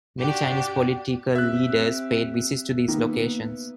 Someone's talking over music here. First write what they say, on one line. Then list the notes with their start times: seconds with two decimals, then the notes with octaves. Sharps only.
Many Chinese political leaders paid visits to these locations.
0.19 D4 F#4 G4
1.35 C4 G4 E5 F#6
2.88 D#3 A#3 B3